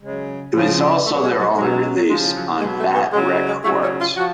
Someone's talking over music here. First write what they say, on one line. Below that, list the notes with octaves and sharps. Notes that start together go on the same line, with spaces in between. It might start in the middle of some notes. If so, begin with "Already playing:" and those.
It was also their only release on Fat Wreck Chords.
C#3 G#3
F#3
C#3 F3
B2 F#3 A3
G#3
F#3
B2 F#3 G#3
G#3
G#3
F#3
C#3 F3 G#3
F#3
B2 F#3 G#3
A3
B3
C#3 F#3 G#3
G#3
C#3 F#3 A3
C#4
F4
F3 F#4